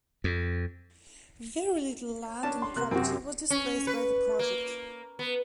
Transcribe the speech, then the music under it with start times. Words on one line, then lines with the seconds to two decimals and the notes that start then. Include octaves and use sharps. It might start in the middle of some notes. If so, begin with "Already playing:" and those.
Very little land and property was displaced by the project.
0.24 F2
2.43 C#4 D4 A5
2.62 C6
2.76 C3 A#3 F#6
2.91 F#2 C3 C4 F#4
3.50 C#4
3.87 B4
4.39 A#3
5.19 B3